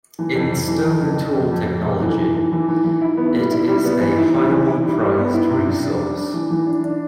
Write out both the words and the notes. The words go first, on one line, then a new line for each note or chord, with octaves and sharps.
In stone tool technology, it is a highly prized resource.
E3
F2
F2
E3
F2
F2
F2
F2
F2
F2
C3
E3
E3
E3
E3
E3
E3
E4
B3
G3
E4
G3
B3
E3
E4
G3
E3
E4
G3
G3
B3
E4
C3
D4
D4
G3
D4
E3
E3
D4
D4